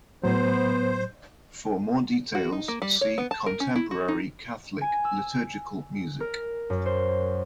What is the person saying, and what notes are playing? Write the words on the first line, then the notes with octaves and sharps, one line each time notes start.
For more details, see Contemporary Catholic liturgical music.
A2 F#3 B3 C5
F#4
D#4
A#3
G3
C#5
B3
A5
A#4
C#4
E4
F#4
D#4
G#5
E6
A#4
F#2
C5